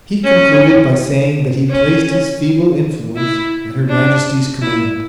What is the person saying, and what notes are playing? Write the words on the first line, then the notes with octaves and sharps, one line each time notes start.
He concluded by saying that he placed his feeble influence at her majesty's command.
C#4
C#4
E4
D4
E4